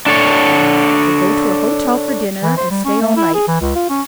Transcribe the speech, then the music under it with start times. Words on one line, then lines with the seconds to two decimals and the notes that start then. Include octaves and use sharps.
We'll go to a hotel for dinner, and stay all night.
0.06 D4 A4 C#5
2.42 E3
2.57 C5
2.71 G3
2.85 C#4
3.01 A3
3.17 E4
3.34 G#4
3.48 E3
3.61 C#2
3.75 F4
3.89 C#4